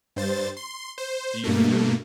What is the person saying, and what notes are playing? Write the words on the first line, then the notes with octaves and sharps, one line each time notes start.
Do you fee
G2 C5 A6
C6
C5
G2 B2 A3 A#3